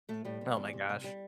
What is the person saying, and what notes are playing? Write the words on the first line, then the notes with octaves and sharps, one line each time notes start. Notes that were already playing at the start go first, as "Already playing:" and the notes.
Oh my gosh.
A2 A3
A2 G3
C3
E2
C3
C3
G3